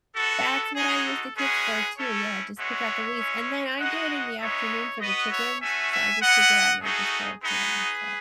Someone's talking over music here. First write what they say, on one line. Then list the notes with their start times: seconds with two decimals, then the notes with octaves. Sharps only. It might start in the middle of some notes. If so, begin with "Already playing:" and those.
That's what I use the kids for too. Yeah, I just pick out the weeds and then I do it in the afternoon for the chickens, so I just pick it out and I just throw it to them, so
0.15 B3 F#4 A4
0.75 G#3 D#4 F#4 G#4
1.07 A4
1.37 G#3 C#4 F#4 G#4 B4
1.97 A3 C#4 E4 A4 C#5
2.58 G#3 B3 F#4 C#5 E5
3.19 G#3 C#4 E4
3.79 G#3 D#4 F#4 D#5 F#5
4.39 G#3 B3 D#4 C#5 E5
5.00 B3 F#4 B4 D#5
5.30 C#5 E5
5.61 A3 C#4 F#4 E5 G#5
5.92 E5 G#5
6.21 B3 E4 D#5 F#5
6.82 A3 D#4 F#4 G#4
7.43 B3 D#4 F#4 G#4 B4